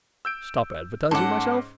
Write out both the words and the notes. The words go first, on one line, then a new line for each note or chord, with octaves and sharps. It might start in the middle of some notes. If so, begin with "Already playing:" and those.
Stop advertising myself!
E6 G6 D7
G#2 C#4 A4 F#5 D6